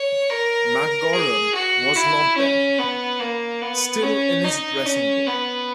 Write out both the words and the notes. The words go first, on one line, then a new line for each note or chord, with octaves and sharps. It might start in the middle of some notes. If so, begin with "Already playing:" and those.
MacGowran was not there, still in his dressing room.
Already playing: C#5
A#4
G#4
F#4
E4
C#4
B3
A#3
B3
C#4
D#4
C#4
B3